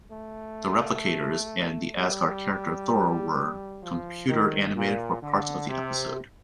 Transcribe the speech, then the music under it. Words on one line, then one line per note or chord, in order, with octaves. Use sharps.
The Replicators and the Asgard character Thor were computer-animated for parts of the episode.
A3
G3
F3
D#3
A#2
D3
C3